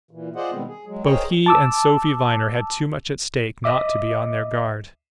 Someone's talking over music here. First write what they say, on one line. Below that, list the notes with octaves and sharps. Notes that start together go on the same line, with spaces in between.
Both he and Sophy Viner had too much at stake not to be on their guard.
A#2 E3
F4 G#4 C5 D5 D#5 F#5
B2 D#3 G3 G#3 B3 C4
G#4
F#3 G#3
G#4 A#4 C5 C#5 D#5 G5
A5 D6 E6
D#5 E5 D6